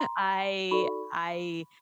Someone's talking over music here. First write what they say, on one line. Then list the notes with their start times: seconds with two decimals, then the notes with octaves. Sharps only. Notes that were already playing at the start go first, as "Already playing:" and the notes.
I, I
Already playing: A#5 C6
0.71 D#4 F#4 A4 D5 B5 C#6